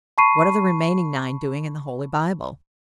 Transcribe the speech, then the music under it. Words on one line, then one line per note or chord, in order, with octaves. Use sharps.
What are the remaining nine doing in the Holy Bible?
A5 B5 C#6 C7 D#7